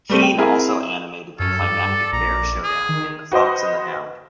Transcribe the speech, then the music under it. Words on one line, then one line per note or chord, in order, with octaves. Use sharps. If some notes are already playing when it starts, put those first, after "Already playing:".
Keane also animated the climactic bear showdown in "The Fox and the Hound".
G3 A3 C4
G5
C4 E4 G#4 A#4
F#2 C#4 A4
G2 D5
A#1 A#5
G#4
D#3
F#4 B4 C5 D#5